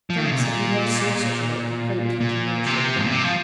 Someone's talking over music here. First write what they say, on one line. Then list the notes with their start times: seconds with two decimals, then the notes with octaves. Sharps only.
Jacques said he never saw such a look, and hoped that he never should again.
0.10 F3
0.17 D#3
0.25 C#3
0.32 C3
0.39 A#2
2.21 A#2
2.66 C3
2.97 G#2
3.05 A#2
3.12 C3
3.24 F3